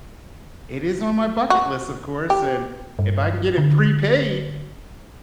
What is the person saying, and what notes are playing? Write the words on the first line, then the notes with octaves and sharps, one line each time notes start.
it is on my bucket list, of course, and if I can get it prepaid
F#4
G4
G2
D3